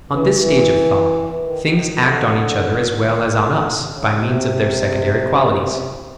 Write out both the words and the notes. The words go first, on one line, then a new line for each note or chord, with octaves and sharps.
On this stage of thought things act on each other as well as on us by means of their secondary qualities.
E3
E3
D#3
D#3
D3
B2
C3
C#3
D3
D#3
D3
C#3
C3
C#3
C3